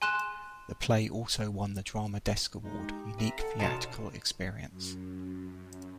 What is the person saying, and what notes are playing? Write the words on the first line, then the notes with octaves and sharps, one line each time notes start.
The play also won the Drama Desk Award, Unique Theatrical Experience.
G#5 C6 F#6 E7
G#3 D#4
G4
C4 B4 E5 A#5
A4 F#5
B2 D#4 F4 C#5 A5
F#2